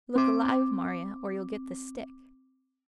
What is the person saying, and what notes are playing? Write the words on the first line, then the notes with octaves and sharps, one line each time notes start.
"Look alive, Marya, or you'll get the stick!"
C4 D6